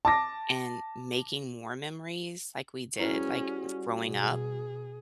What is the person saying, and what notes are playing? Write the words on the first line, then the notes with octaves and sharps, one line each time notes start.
and making more memories, like we did, like, growing up,
A5 D6 A#6
G3 C#4 E4 F#4 G#4 B4 C5
B2 G#4